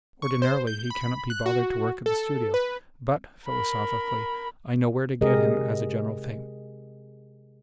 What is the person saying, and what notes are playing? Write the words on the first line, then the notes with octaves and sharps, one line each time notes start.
Ordinarily he cannot be bothered to work at the studio. But"--philosophically--"I know where to get him as a general thing.
C#6
C5
G6
B5
F#6
F#4
A4
B4
A#4 B5
C3 G#3 G4 G#4 A#4 D#5